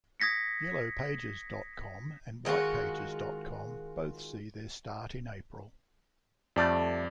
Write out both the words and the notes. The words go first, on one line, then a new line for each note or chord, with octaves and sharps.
Yellowpages dot com and Whitepages dot com both see their start in April.
D#6 G#6 A#6 B6 C#7
D#3 G#3 F4 F#4
F2 G3 A3 D5 A5